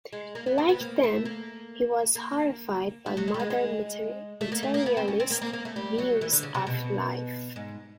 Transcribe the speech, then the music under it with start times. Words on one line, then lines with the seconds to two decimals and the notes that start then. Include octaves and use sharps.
Like them, he was horrified by modern materialist views of life.
0.13 G#3
0.35 A#3
0.46 B3
0.58 C4
0.69 B3
0.80 A#3
1.03 A3
1.25 A#3
2.15 A#3
3.06 A3
3.17 F#3
3.28 G#3
3.34 G3
3.39 G#3
3.50 G#3
4.41 A3
4.52 A#3
4.63 A3
4.74 A#3
4.86 B3
4.97 C4
5.08 C#4
5.20 C4
5.30 A#3
5.42 A#3
5.53 A#3
5.65 A3
5.76 G3
5.98 F#3
6.21 E3
6.32 D3
6.43 C#3
6.54 C3
6.67 B2
7.56 G#2